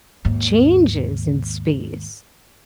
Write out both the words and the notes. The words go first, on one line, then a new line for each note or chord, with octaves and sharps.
changes in space.
D#2 G#2